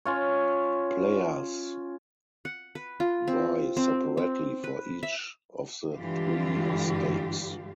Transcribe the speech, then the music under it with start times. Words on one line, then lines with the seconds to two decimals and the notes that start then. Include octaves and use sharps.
Players vie separately for each of the three stakes.
0.05 C#4 F4 C#5
2.45 F#5
2.75 B4
3.00 F4
3.28 C4
3.77 C4
4.17 C4
4.64 B4
5.03 E5
5.96 G2 D3 E3 G#3 F4 G4